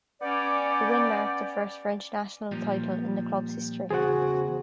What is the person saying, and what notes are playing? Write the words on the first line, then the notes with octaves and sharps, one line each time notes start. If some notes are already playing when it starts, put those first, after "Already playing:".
The win marked the first French national title in the club's history.
B3 C#4 G4 D5
A#2 F3 G3
E2 C#3 F#4 G#4 C5 F#5